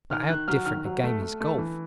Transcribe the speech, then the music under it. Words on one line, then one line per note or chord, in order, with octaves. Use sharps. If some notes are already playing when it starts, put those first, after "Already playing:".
But how different a game is golf.
D#3 F6
D#3 F#6
F#3 F6
D#3 F6
F#3
A3
A3
A3
E3